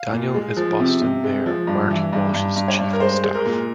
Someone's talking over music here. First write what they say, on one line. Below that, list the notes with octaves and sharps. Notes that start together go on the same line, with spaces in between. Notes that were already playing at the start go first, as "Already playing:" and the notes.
Daniel is Boston Mayor Marty Walsh's chief of staff.
Already playing: F5
A#2
G#3
F3
C3
C3
G#3
F3
G2
E3
G2
G2
G2
C#5
G2
A#4
G#3 C5
G#3
A#4
A#2